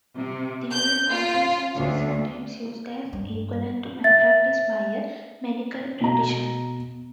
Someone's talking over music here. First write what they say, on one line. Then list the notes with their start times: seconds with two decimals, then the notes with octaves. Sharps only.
The word malfeasance is sometimes used as equivalent to malpractice by a medical practitioner.
0.17 C3
0.71 G6
1.09 F4
1.75 D2
3.13 G2
4.04 E5 A6
6.01 B2 A#5